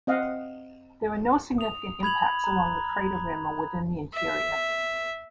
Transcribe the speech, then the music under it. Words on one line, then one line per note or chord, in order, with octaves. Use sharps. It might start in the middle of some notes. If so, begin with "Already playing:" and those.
There are no significant impacts along the crater rim or within the interior.
C4 D#5 F5 F#5
D#6 F7
B5 G#6 F7 F#7
A#5 F#6
E5